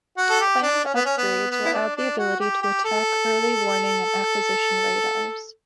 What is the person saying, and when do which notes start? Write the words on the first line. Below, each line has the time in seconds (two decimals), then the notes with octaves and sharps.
Planned upgrades will add the ability to attack early warning and acquisition radars.
0.17 F#4
0.30 A4
0.41 G4
0.62 D4
0.85 C#4
0.94 B3
1.05 C#4
1.18 B3
1.51 B3
1.65 E4
1.73 D4
1.96 D4
2.18 F#4
2.40 G4
2.62 G4
2.85 A4